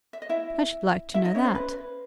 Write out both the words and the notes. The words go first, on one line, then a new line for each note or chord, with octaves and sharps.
I should like to know that.'
E5
D#5
E4 E5
E4 E5
D#4 D#5
C#4 C#5
C5
B4